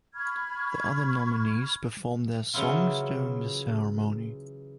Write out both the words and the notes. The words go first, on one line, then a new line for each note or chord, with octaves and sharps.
The other nominees performed their songs during the ceremony.
B5 C#6 F6 G#6
C#3 E3 F#3 E4 F4